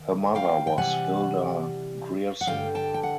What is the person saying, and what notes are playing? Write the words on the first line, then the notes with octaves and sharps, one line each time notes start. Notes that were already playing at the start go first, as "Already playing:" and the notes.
Her mother was Hilda Grierson.
Already playing: D#3
F5 G5
G5
C3 E3 G3 F#5 G#5
F#5
G2 D3 G3 F5 G5
G5 A5
G5
F#5